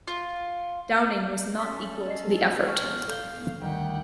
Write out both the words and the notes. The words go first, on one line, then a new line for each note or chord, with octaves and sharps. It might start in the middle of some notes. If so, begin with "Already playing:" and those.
Downing was not equal to the effort.
F4
C#4 A4 C6 D#6 B6
D5 D#5 C7
D5 C#6 F6 A6
A4 F5 G6 G7
D2 D#3 G3 F#5 G5